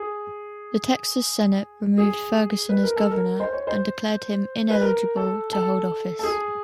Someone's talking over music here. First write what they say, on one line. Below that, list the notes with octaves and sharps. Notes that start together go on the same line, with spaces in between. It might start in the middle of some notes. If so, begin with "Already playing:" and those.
The Texas Senate removed Ferguson as governor and declared him ineligible to hold office.
Already playing: G#4
G#4
B4
A#4
A4
A#4
C5
C#5
C5
B4
A#4
A4
A4
A4
G#4